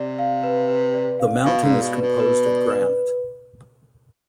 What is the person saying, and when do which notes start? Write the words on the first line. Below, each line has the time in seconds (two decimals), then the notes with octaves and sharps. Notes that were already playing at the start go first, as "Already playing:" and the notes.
The mountain is composed of granite.
Already playing: C3 D5
0.19 F5
0.44 B4
0.68 B4
0.94 D5
1.20 F5
1.44 B2 F5
1.63 G#2
1.69 D5
1.82 B2
1.94 B4
2.02 B2
2.20 B4
2.45 D5
2.70 B4